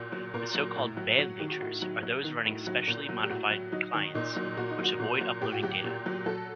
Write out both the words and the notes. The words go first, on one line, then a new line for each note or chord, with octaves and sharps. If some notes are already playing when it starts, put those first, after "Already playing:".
The so-called "bad" leechers are those running specially modified clients which avoid uploading data.
Already playing: A#2 F#3
F#3
A#2 A#4
F#3
A2
F#3
F#3 F#4
D#3 G4
F#4
A2 F#4
F#3
F#3
D#3
A2
F#3
A#2
F#3
G4
A2 F#4
F#3
F#3 D#4
D#3
A#2 D#4
F#3
A#2 F#4
D#4
F#3 F#4
A#2
F#3
A2 G4
F#4
F#3 G4
A#2
F#3
F#3 A4